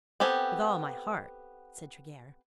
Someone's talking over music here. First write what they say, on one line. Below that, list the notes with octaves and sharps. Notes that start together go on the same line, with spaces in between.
"With all my heart," said Tregear.
B3 C4 G4 A4 G#5